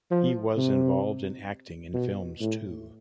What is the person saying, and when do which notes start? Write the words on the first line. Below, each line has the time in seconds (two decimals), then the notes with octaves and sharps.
He was involved in acting in films too.
0.11 F3
0.57 C3
1.94 B2
2.40 A2